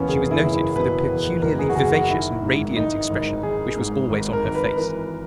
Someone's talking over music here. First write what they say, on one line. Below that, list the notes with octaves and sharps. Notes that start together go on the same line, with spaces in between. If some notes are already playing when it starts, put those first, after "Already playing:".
She was noted for the peculiarly vivacious and radiant expression which was always on her face.
Already playing: E2 B2 A#3 B3 C#4
F#1 G#4
E4
F#1
E4
B2 B4
E2
F#1 A#4
G#4
F#4
F#1 G#4
F#4
D#3 E4
G#2
G#1 D#4
G#1
D#3 G#4
G#2
G#1
A#4
G#1
B4
E3 A#4